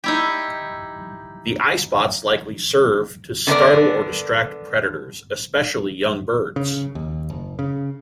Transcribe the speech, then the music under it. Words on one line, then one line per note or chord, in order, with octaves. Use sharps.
The eyespots likely serve to startle or distract predators, especially young birds.
D#4 E4 G4
D3 B3 C#4 A#4 D5
C#3
D#2
F#1
C#3